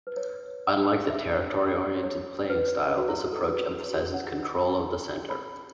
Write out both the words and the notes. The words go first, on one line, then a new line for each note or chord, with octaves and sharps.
Unlike the territory-oriented playing style, this approach emphasizes control of the center.
B4
C#5
E5
C#5
B4
F#4
E4
F#4
A4
B4
F#4
F#4
F#5
F#5
B5